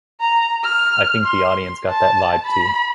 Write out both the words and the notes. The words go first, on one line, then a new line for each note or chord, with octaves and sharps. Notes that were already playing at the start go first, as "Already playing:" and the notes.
I think the audience got that vibe, to.
A#5
F6
C6
A5
B5